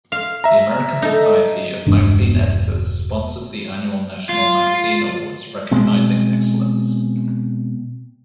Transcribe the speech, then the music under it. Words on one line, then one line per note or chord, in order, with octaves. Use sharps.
The American Society of Magazine Editors sponsors the annual National Magazine Awards recognizing excellence.
F5
E5 A#5
D#4 A4
E1 G2 D4
F4
B2 G#3 C4